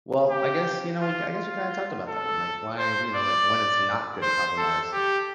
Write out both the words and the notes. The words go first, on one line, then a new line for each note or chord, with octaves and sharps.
well, I guess, you know, we I guess we kinda talked about that one, like, why, you know, like, when it's not good to compromise?
G4
F4
F4
A4
C5
D5
C5
A4
G4